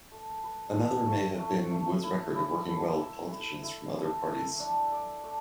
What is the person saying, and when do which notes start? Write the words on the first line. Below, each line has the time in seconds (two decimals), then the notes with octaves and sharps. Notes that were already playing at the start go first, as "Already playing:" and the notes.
Another may have been Wood's record of working well with politicians from other parties.
0.12 A3
0.44 B4
0.75 A3
1.07 A3
1.39 A3
1.72 A3
2.03 E4
2.35 E4
2.68 A3
3.00 E5
3.31 E4
3.64 E4
3.96 A3
4.28 A3
4.60 D4
4.92 D5
5.24 A3